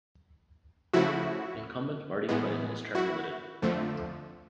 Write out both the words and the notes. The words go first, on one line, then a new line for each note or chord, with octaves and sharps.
Incumbent Marty Quinn is term limited.
C#3 F3 A3 E4 F#4
A2 E3 G#3 B3
E4 F#4
F2 D3 F3 A3